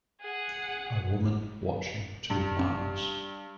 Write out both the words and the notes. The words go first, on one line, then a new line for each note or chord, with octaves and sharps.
A woman watching two lamas.
G#4 F#5
G2